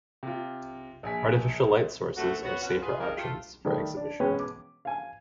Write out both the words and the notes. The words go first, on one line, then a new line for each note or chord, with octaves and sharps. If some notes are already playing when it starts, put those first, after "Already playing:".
Artificial light sources are safer options for exhibition.
C3 F4
A#1 G#5 B6
D2 A#2 A3 C4 F#4
B3 F#4 C#5
F2 B2 C#4 F#4 B4 F#5
F4 G#4 B4
F2 C#3 G3 D#4 A#4
A3 F4 G4
D#3 G3 A3
D4
B2 G#3 C#4 B4 G5
D6
F5 G#5